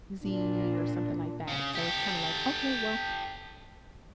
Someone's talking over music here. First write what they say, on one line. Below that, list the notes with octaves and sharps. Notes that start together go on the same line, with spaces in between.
X Z or something like that, so it's kinda like, "Okay, well,
A#2 D4
C#3
G4 A4